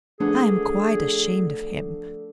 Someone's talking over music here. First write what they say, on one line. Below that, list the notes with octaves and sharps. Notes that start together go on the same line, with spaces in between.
I am quite ashamed of him.
D3 F3 A3 B3 D4 G#4